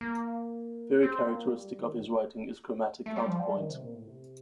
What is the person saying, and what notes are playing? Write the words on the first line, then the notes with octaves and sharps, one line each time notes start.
Very characteristic of his writing is chromatic counterpoint.
A#3
C4
A#3
G3
D#3
A3
G3
F3
G3
D#3
C3
A#2
A2
C3